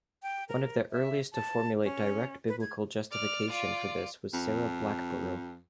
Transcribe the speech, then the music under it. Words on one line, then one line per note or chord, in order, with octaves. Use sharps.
One of the earliest to formulate direct biblical justification for this was Sarah Blackborow.
G5
A#4
E5
A5
C#4
B4
G#6
D5 F6
F4 D5
F2